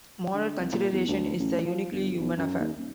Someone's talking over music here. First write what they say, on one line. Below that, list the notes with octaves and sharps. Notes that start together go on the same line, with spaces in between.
Moral consideration is a uniquely "human" affair.
D3
C2
A#2
E2
D2
A1
F3
G1
B1
F#2
D#2
D#1